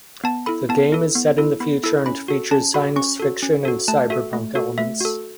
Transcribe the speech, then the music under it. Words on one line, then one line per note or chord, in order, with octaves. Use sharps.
The game is set in the future and features science fiction and cyberpunk elements.
B3 A5
E4 A4 B5
B3 A5
E4 A4
B3
E4 A4
B3 B5
E4 A4 E6
C#4 B5
F#4 A4
C#4 A5
F#4 A4 B5
C#4 C#6
F#4 A4
C#4
F#4 A4
A3 A5
F#4 A4 E5
A3
F#4 A4
A3 E5
F#4 A4